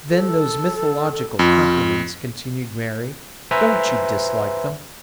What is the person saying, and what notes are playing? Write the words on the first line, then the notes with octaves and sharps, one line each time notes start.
"Then those mythological compliments," continued Mary, "don't you dislike them?"
A4
F2 F4
B4 C5 E5 G#5 A#5